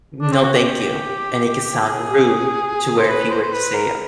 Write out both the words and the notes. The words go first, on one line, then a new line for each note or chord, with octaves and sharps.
"No, thank you," and it could sound rude, to where if you were to say a
D4
C4
F#4
G4
G#4
C5
B4
C5
C5
B4
A#4